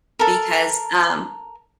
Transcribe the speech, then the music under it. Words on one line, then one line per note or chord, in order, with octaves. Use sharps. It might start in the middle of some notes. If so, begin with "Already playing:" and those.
because, um,
A4 A#4